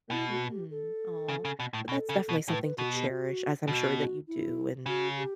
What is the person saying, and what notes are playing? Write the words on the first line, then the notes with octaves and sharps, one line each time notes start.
Mhm, aw, but that's definitely something to cherish as I'm sure that you do, and
B2 E4
F#4
G4
A4
C#3
C#3
B2
A2
B2 A4
C#3
B2
A2 B4
B4
B2 F#4
G4
F#4
B2 F#4
G4
F#4
E4
C#3 F#4
G4